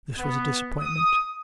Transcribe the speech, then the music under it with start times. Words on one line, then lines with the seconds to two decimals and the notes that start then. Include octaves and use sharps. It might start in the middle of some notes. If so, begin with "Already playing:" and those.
This was a disappointment.
0.17 B3
0.78 D#6